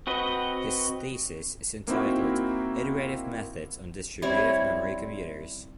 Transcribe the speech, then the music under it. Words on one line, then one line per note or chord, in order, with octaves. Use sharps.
His thesis is entitled "Iterative Methods on Distributive Memory Computers".
C4 F#4 B4 D#5
A#3 C4 D#4 E4 F#4
G3 C4 E4 C#5